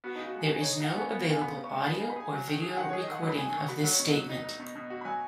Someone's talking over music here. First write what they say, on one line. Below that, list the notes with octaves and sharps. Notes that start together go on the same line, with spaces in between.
There is no available audio or video recording of this statement.
B3 F#4
C#3 D#4
F#4
G#3 G#4
F#4
D#4 G#4
D#4 C#5
D#5
D#4 F#5
B3 G#5
B3
C#3 G#5
B3 B5
C#3
C#6
G#3
G#4 B5
D#4 G#5
B5
G#4 G#5
F#3
D#3
G#4
G#5
D#3 F#5
G#4 C#5
D#5
D#3 F#5
F#3 D#5
B5
G#5
G#4
G#5
D#3 C#6
F#4 B5
F#3 F#5
C#5
B2 D#5
F#3
D#4
D#4
B2
B2
F#4
B5
F#3 G#5